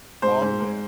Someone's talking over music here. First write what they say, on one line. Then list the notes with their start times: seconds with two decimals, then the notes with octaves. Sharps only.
All of it.
0.22 G#2 C5
0.42 G#2
0.60 G#2